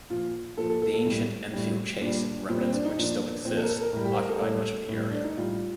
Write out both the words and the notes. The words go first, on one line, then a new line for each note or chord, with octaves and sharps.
The ancient Enfield Chase, remnants of which still exist, occupied much of the area.
A#2 F3 F4
A#2 F3 A4
A4
A4
A4
A2 G3
A2 G3
A#2 G3 D4
A#2 G3 C4
C4
D4
D#4
A#2 F3 D4
A#2 F3 C4
A4
A#4
A4
A#4
A2 G3 A#4
G4
C5
A#4
A4
A2 G3
A2 G3
D4
D#4
A2 G3 F4